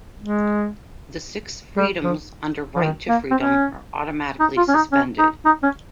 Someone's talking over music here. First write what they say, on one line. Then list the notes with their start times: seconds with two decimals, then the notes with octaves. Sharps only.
The six freedoms under Right to Freedom are automatically suspended.
0.20 G#3
1.77 G3
2.04 F3
2.76 F3
2.82 D#3
3.09 A#3
3.31 C4
3.34 C#4
4.40 D#4
4.57 F4
4.68 C#4
4.75 D#4
4.92 C#4
5.19 D#4
5.45 D#4
5.63 C#4